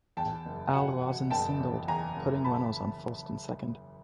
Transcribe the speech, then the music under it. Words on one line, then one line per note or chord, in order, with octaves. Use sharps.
Al Rosen singled, putting runners on first and second.
E2 G5 A5
F#1
B2 F#5 G#5
B2
F#1 G5 A5
E2
E2 G#5 A#5
F#1
A5 B5